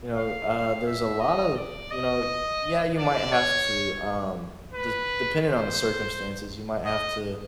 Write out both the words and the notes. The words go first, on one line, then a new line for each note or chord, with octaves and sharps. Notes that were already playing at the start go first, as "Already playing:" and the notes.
you know, uh, there's a lot of, you know yeah, you might have to, um, des depending on the circumstances, you might have to
F5
F5
E5
D#5
D5
D#5
D5
C#5
B4
C5
D#5